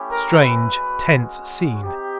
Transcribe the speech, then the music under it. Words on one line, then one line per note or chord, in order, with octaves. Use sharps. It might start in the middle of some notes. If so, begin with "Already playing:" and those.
Strange, tense scene.
Already playing: A3 C#4 E4 G4
A#4
B4
G#3 C#4 F#4
C4 D#4 G4